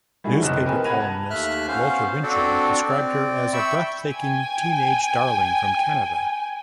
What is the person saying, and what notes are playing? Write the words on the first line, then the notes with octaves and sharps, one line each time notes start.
Newspaper columnist Walter Winchell described her as a breathtaking teen-age darling from Canada.
G3 A3 D#4 E4 F#4 G#4
F#1 C3 G4 D#5 F#6 E7
C4 A#4 B4 G5 G#5
F#5 B5 G#6 A#6 D#7 F7
A5
D#2 A3 E5 F6 F#6
B3 C#4 C5 F5
C4 D4 F#4 A4 D5
C4 D5
E5 G5 B5 C#6 E6
G5 G#5